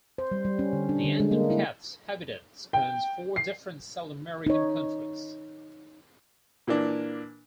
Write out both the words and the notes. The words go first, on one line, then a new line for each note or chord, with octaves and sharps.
The Andean cat's habitat spans four different South American countries.
C5
G3
G3
C#4
D3
D4
D3
G#3
A#3
E4
G5
C7
D#4 C#5
A#2 E3 A#3 D4